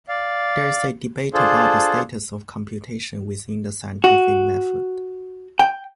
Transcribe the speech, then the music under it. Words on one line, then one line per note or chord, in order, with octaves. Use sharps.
There is a debate about the status of computation within the scientific method.
D5 F5
D4 F4 G#4 A4 C5
F#4
G5